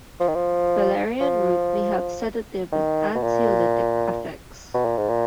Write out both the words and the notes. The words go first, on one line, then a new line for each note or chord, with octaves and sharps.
Valerian root may have sedative and anxiolytic effects.
F3
D#3
F3
F3
D#3
B2
A#2
B2
A#2
G#2
A#2